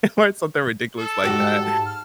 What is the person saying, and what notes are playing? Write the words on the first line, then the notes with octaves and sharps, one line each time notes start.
or something ridiculous like that,
A4
G#2 F#4 G4
A5
F6